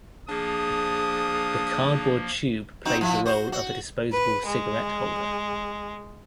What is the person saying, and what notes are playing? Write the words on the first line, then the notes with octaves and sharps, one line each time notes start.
The cardboard tube plays the role of a disposable cigarette holder.
F3 A#3 D4 G#4 D#6
C4 D#4 F#4
F3 E4
F#4 C5
F#4
B4
G#3